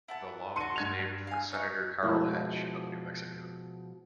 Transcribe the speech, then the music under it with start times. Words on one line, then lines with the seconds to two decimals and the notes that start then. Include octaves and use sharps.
The law was named for Senator Carl Hatch of New Mexico.
0.08 E4 F#5 A5
0.56 F#4 A4 C6 C#7 D#7
0.76 G2 G#6 F7
1.27 F5 G#5
1.52 D#4 C#5
2.03 B2 F3 G#3 E4 F#4 E5